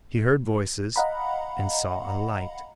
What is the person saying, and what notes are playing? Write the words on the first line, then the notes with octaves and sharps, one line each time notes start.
He heard voices and saw a light.
D#5 F5 F#5 A#5 B5